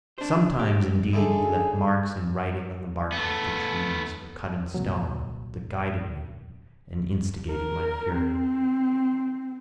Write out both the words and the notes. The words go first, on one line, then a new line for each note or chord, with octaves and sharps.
Sometimes, indeed, he left marks in writing on the barks of the trees or cut in stone that guided me and instigated my fury.
D4 C5
G4
D3 D#4 E4 G#4 A4
A3 B3
C2 A#2 F#3
A#4
C4